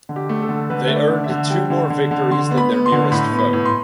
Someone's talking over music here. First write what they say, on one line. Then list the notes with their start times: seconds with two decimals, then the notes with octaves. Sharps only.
They earned two more victories than their nearest foe.
0.09 D3
0.16 G4
0.29 A3
0.42 A4
0.49 D3
0.70 D3 B4
0.88 A3 E5
0.96 D5
1.10 D3
1.24 E5
1.30 D3
1.50 G3 G5
1.70 D3
1.90 D3
2.11 D3
2.31 D3 C6
2.51 B3
2.58 B5
2.72 B3
2.86 C6
2.92 D3
3.11 A2 B5
3.32 B3
3.39 B5
3.53 A2
3.65 C6